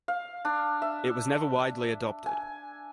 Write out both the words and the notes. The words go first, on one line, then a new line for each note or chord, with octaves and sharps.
It was never widely adopted.
F5
D4
E5
G#5